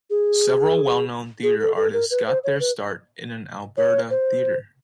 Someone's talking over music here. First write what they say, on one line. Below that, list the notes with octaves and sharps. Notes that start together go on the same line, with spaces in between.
Several well-known theatre artists got their start in an Alberta theatre.
G#4
G#4
A4
A4
A#4
B4
C5
C#5
B4
C#5
C5